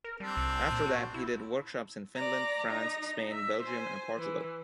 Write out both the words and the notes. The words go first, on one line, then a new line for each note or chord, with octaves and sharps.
After that he did workshops in Finland, France, Spain, Belgium, and Portugal.
A#4
G3 C4 D4
C2
A#2
F#4
E4
D5 A#5
D#4 A#5
E5
C5 G#5
E3